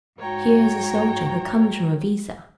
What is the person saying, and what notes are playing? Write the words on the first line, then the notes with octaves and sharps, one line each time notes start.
Here is a soldier who comes from Iviza.
G#2 F#4 C#5 G5 A#5